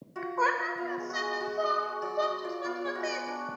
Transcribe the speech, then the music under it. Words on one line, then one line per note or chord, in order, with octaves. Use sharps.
When the first seed is sown, salt is mixed with it.
F4 F#4
F4
F4
B3 F4
G#3
F#4
G#3
G#3 F#4
G#3
F#4
G#3
F#3 D5
F#3
F4 D5
B3 F4
G#3
F#4
B3
D4